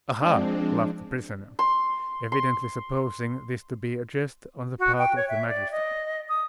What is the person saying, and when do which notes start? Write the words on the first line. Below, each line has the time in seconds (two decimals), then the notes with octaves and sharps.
"Ah, ha!" laughed the prisoner, evidently supposing this to be a jest on the part of the magistrate.
0.22 F3 G#3 C4 D4
1.59 C6
2.32 C6
4.79 F#4
4.99 G5
5.16 C#5
5.29 E5
5.48 D5
5.71 D#5
6.29 D#6